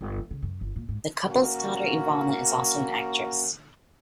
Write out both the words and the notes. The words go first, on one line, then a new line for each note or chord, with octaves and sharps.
The couple's daughter Ivana is also an actress.
G1
F3
C#3
F#2
G1
A#2
G#2
A#3 C#4 F#4